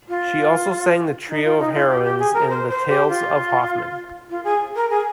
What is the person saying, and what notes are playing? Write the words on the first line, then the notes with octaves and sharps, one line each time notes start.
She also sang the trio of heroines in "The Tales of Hoffmann".
F4
D#4
F4
D#4
F4
G4
G4
G#4
A#4
C5
C5
G4
F4
F4
G#4
A#4
G#4